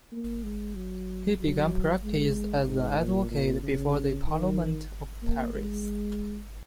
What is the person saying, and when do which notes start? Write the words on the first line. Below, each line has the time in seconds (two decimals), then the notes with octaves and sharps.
He began practice as an advocate before the "parlement" of Paris.
0.12 A#3
0.43 G#3
0.75 F#3
1.40 F#3
2.04 G#3
2.67 G#2
2.99 A#2
3.31 A#2
3.63 C#3
4.27 D#3
5.23 A#3
5.55 G#3